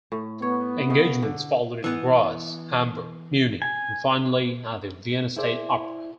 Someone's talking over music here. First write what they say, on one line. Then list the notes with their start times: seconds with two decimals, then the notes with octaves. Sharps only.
Engagements followed in Graz, Hamburg, Munich and finally at the Vienna State Opera.
0.12 A2
0.42 B3 C#5
0.90 C#3 D#5
1.22 D3
1.84 E3 B3
3.62 G#5
5.36 E4 G#4 C5 D5 E5